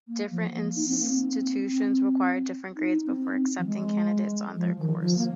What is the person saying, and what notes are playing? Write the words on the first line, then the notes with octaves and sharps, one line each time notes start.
Different institutions require different grades before accepting candidates onto their course.
A#3
F3
A#3
D#4
C4
A#3
C4
D#4
C4
F3
G#3
F3
D#3
F3
A#3